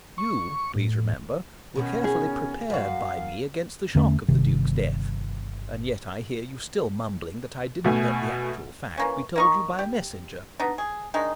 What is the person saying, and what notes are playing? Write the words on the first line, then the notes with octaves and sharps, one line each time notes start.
You, please remember, were carefully prepared by me against the shock of the Duke's death; and yet I hear you still mumbling that I didn't let the actual fact be told you by a Messenger.
C#6
A2
B2 D#3 B3 C#4
G#4
F#2 F#4 F5
E2 D3 A3 C#4
G1 C3 D#3
B2 A3 G#5
E3 A#3 C#4
A#3 D#4 C#6
G4
B3 D4 D#4
G#4
D#3 G#3 D4 D#4